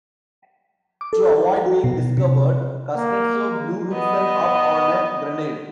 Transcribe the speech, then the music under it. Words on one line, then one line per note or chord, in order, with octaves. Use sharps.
To avoid being discovered, Kuznetsov blew himself up on a grenade.
D6
A4
F#4
B2
C3
A#3
B3 D#5